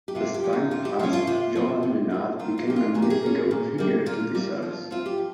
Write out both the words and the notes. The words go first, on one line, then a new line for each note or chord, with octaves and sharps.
As time passed, Jovan Nenad became a mythical figure to the Serbs.
G4
C3 F4
G4
F3 G#3 C#4
D#4
C3 F4
G4
F3 G#3 C#4 F4
F4
C3 F4
F3 C4
C3
F3 C4
D#3 F4
F4
A#3 C#4 G4
F4
D#3 G#4
G4
G#4
A#3 C#4
A#2
G3 A#3
A#2 F4
G3 A#3
F3
C4 F4
G4
F3